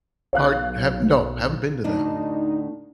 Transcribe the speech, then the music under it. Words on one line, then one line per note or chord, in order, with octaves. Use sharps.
Part have No, haven’t been to that one.
B1 C#5 F5 F#6
D2 A2 D4 D#4